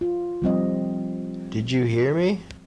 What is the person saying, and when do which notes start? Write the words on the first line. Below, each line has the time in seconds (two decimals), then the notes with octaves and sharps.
Did you hear me?
0.01 F4
0.42 F3 G3 C4 D#5